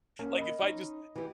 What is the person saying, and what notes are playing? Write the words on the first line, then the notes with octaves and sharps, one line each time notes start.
Like, if I just
A#3 C#4
D#5 B5
C#4 D#4
E3 G4